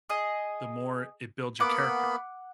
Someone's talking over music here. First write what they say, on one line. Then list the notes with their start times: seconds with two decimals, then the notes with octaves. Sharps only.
the more it builds your character,
0.10 G#4 D#5
1.60 A#3 B3 F#5 B5 D6